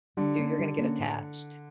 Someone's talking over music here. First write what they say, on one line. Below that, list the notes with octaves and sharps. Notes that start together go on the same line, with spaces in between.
you you're gonna get attached.
D3 G3
A#3 C#4
G3
A#3 C#4
A2